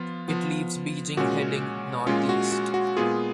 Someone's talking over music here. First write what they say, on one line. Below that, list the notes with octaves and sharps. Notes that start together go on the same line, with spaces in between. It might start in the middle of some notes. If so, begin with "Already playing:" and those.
It leaves Beijing heading north-east.
Already playing: F3 B3 F4
F3 B3
A#2 G#3 C#4 F#4
A#2 G#3 C#4 F4
F#4
F#4
F#4
A#2 G#3 B3 F4 G#4